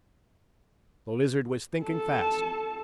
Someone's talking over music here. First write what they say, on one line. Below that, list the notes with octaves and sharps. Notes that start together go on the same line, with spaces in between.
The Lizard was thinking fast.
A4 A5